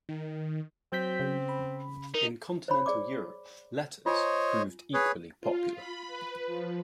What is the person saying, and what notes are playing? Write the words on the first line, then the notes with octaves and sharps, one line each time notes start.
In continental Europe, "Letters" proved equally popular.
D#3
F#3 C4 G6 B6
C#3
B5
D#4 A#4
C5 C#5 B5
G#4 D5 D6
F4 C5 C#5 D#5 G#5
G#4 B4 C#5
F4
B5
B4
F3